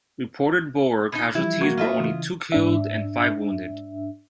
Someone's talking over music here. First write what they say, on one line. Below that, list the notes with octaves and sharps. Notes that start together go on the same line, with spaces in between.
Reported Boer casualties were only two killed and five wounded.
B2 D#4
E3 F3 G3 E4
A#3 F#4 G#6
F4 D#5 E5
C#3 E3
G#2 D4 E5